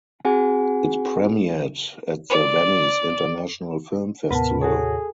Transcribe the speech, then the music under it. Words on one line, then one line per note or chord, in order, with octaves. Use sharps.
It premiered at the Venice International Film Festival.
C4 F#4 G#4 F#5 G#5
D5
D#2 A2 C3 B3 A#4 B4 F#5 A5
F#4 G#4 A4 C#5